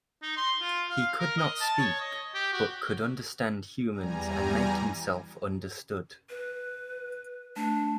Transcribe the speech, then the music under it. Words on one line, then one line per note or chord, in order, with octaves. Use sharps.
He could not speak, but could understand humans and make himself understood.
D#4
C6
F4
F5
A#4
D#5
A5
C#5
D#5
G4
F#4
E2 G3 G#5 A#5
B4
A3 D4